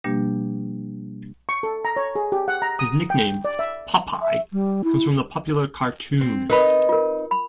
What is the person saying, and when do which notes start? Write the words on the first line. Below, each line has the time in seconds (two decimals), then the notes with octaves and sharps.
His nickname, Popeye, comes from the popular cartoon.
0.04 B2 F3 G3 A#3 D4 G4
1.49 C#6
1.63 A4
1.85 A#5
1.96 C#5
2.15 G#4
2.32 G4
2.48 F#5
2.62 A#5
2.79 D#6
3.10 G5
3.45 D5
3.59 E5
4.22 E5
4.53 G3
4.84 E4
6.21 C4
6.50 D#4 A#4 B4 D#5 B5
6.89 F4 A#4
7.31 B5